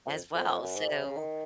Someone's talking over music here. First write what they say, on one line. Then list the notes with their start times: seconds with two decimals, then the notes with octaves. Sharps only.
as well, so
0.07 F2
0.35 F2
0.48 F2
0.62 F#2
0.76 G#2
0.90 C3
1.04 C#3
1.18 D#3